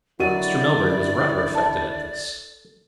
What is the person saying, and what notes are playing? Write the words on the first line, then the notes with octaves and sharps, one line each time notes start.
Mr. Melbury was rather affected at this.
D3 D#3 F#3 E4 F#4 D5 D#7
A4